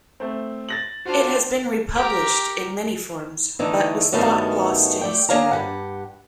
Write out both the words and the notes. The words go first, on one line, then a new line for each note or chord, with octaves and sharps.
It has been republished in many forms, but was thought lost to history.
A3 C4
A6 A#6 F#7
D4 F4 F#4 C5
G4 A#4
D3 E3 A3 D#4
G2 D#3 A3 B3 C#4 F#4
A3 D5 G5
A#3 D4 G#4 C#5 F5 A#5
G2 G4 F#5